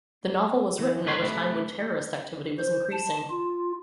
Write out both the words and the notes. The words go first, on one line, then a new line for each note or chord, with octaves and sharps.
The novel was written at a time when terrorist activity was increasing.
E3
E2 G#2 D3 B4 C#5 C6
C3 G#3 A3 B4
C5
A5
F4